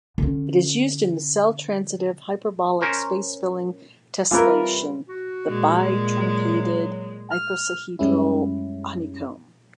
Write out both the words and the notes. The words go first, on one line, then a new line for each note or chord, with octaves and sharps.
It is used in the cell-transitive hyperbolic space-filling tessellation, the bitruncated icosahedral honeycomb.
D3 C#4
C#4 A#4 C5
E3 G3 C4 F4 A#4 B4
F#4
A#2 G#3
F#3
F6
F#2 G3 G#3 C#4 E4